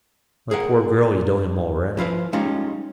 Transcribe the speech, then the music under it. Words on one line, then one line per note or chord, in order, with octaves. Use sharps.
"My poor girl, you know him already."
G#4 A#4 F#5
F3 E4 F4 B4
G3 G#3 C#4 D#4 F4